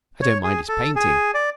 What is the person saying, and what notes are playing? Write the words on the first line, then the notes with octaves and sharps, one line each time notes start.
I don't mind his painting.
C#5
G#4
A4
G#4
D5